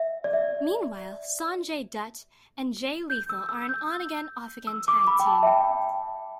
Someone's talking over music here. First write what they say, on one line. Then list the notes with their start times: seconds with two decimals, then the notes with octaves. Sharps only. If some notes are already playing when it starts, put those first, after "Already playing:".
Meanwhile, Sonjay Dutt and Jay Lethal are an on-again-off-again tag-team.
Already playing: E5
0.24 D5
0.33 E5
3.10 G6
3.29 E6
3.49 E6
3.69 G6
4.67 E6
4.88 D6
5.07 B5
5.20 G5
5.26 A5
5.43 E5
5.47 G5